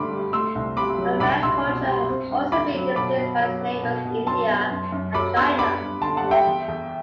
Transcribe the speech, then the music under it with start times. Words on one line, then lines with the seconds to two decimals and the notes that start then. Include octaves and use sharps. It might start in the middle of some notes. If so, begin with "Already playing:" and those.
Burmese culture has also been influenced by its neighbours India, and China.
Already playing: G2 D3 A3 D4 B5 C6 D6
0.11 G3
0.33 A3 C6 E6
0.55 C2
0.77 C3 B5 D6
0.98 F#3
1.20 C2 B5 D6
1.43 C2 C6 E6
1.65 B2
1.87 G3
2.09 C4
2.31 G2
2.52 D3 B5 D6
2.74 F#3
2.96 B2 B5 D6
3.17 B2
3.40 F#3
3.61 B3
3.83 B2
4.05 B2
4.27 F#3 A5 C6
4.49 B3
4.70 F#2
4.92 F#2
5.14 F#3 B5 D6
5.36 B3 C6 E6
5.59 D4 B5 D6
5.81 G2
6.02 D3 A5 C6
6.17 F#5 A5
6.24 G3
6.31 E5 G5
6.46 E2
6.68 E2